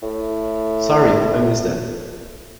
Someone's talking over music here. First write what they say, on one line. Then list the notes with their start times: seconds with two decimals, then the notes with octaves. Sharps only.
Sorry, I missed that.
0.03 A2